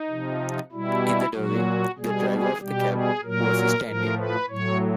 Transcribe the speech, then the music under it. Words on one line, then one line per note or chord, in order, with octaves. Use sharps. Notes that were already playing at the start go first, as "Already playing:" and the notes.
In the doorway the driver of the cab was standing.
Already playing: D#4
C3 F3
B2 G3 E4
A#2 F#3 F#4
B2 G3 G#4
G#4
B2 G3 G4
G#4
A#2 F#3 A#4
A2 F3 A#4
B4
A2 F#3 C#5